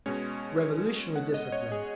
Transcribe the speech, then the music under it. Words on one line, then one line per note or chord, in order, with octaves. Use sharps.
Revolutionary discipline!
B2 G#3 C#4 C#5
F#5
D#5
C#5
G#4